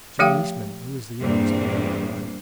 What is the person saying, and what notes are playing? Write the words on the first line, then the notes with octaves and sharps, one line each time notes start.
John Eastman, who was the youngest, began to cry.
F3 A3 G4 F5 G5
E2 G2 A#2 A#3 C4 D4